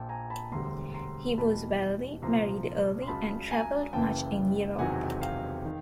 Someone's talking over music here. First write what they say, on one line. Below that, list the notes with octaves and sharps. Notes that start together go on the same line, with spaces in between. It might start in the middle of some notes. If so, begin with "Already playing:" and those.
He was wealthy, married early, and travelled much in Europe.
Already playing: A#1 A#2 F3 G5 A5
G#5 A#5
A5 B5
E1 D2 D3 G3 A#5 C6
A#5 C6
E2 B2 G3 A5 B5
C2 A#2 F3 A#5 C6
C6
C#2 C#3 F#3 A5 B5
G#5 A#5
F#1 F#2 C#3 E3 G5 A5
E1 E2 C3 D#3 F#3 F#5 G#5
F5 G5
D#3